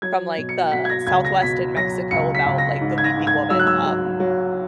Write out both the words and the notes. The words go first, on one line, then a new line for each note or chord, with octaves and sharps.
from like the southwest in Mexico about like the weeping woman, um,
F#3 G#6
B2
C#7
B2 B6
G#6
A#6
C#2 G#6
A#6
B2 B6
F#3 A#6
C#2 C#7
B6
C#2
A#6
G#2
G#6
A#6
G#2
G#6
F#3 E6
F#6
E6
F#3
F#3